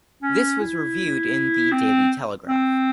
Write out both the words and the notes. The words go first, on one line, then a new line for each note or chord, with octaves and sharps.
This was reviewed in The Daily Telegraph.
C#4
E4
C4
C4